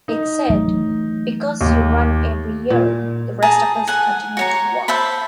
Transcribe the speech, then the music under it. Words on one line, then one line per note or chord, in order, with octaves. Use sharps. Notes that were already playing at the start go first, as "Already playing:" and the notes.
It said 'Because you run every year, the rest of us continue to walk.
D#4
E3 F#3 A3
D#2
A#2
G#4 A5 A#5
F#5 G#5
F#4 C#5 A#5
C5 E5 A5 B5